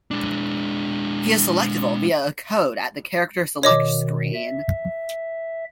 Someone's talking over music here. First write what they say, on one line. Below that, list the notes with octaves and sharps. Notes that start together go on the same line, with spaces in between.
He is selectable via a code at the character select screen.
G#3 D4
B2 D#3 C#5 D#5 D6
E5